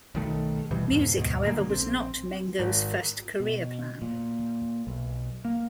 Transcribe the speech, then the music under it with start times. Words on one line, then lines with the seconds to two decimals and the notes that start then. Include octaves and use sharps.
Music, however, was not Mengo's first career plan.
0.15 B1 D#3 A3
0.71 D#1 B2 E3 G3
0.90 E2 G#2 B2
1.17 D2 G#2 B2
1.45 A#2 D3 G#3 A#3
1.68 A#1 C4
2.59 G#1
3.40 B2
4.02 A#2
4.87 B1
5.45 A#3